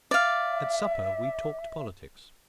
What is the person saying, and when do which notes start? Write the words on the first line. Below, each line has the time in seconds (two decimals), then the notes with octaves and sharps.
At supper we talked politics.
0.11 D5 E5 F5